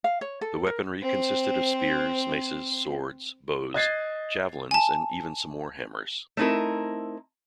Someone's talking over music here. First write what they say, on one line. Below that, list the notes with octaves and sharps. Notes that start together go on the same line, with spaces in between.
The weaponry consisted of spears, maces, swords, bows, javelins and even some war hammers.
F5
C#5
A4
A#4
C4 C5
D#5 F#6 G#6 A6 C7
G#5 A5
A3 C4 D#4 E4 A#4